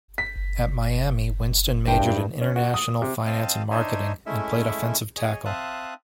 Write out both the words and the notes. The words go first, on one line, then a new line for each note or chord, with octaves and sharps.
At Miami, Winston majored in International Finance and Marketing and played offensive tackle.
B6
F#1 G2 G5
C#4
F#4
D#6
C3
C4 D#5 F5 A5
D4 D#4 C5 C#5 D#5 E5
G#3 A3 C#4 E4 E5
G#4 C#5 D#5
C4 E5 F5 A5 D#6 F#6